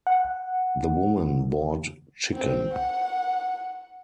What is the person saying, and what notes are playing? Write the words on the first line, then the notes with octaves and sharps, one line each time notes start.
The woman bought chicken.
F#5
C4
F#5